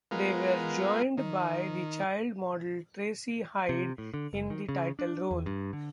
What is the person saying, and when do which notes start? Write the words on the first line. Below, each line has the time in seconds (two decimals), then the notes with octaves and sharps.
They were joined by the child model Tracy Hyde in the title role.
0.11 G#3 B3 F4 A#4
1.17 D#3
3.69 C3
3.98 A2
4.14 D3
4.33 F#1
4.50 D#3
4.69 C#3
4.99 D4
5.31 E2
5.46 G2
5.73 D3